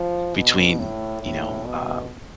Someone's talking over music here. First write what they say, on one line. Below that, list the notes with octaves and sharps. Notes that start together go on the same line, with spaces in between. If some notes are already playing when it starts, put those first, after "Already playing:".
between, you know, um,
Already playing: F3
B2
A2
A2
B2